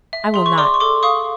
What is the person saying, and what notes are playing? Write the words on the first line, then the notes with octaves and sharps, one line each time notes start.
I will not.
E5
G#4 C6
C#6
D5 C6 D6
C#6
A4 C6 D6
F5 C#6 D#6